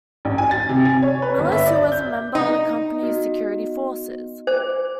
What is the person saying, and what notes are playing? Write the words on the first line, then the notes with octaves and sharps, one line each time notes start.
Willis, who was a member of the company's security forces.
A1
G#5
A6
C3
G#5
C#5
B4
G1
E5
D5
G6
D#4
B3 F#4
C5 D6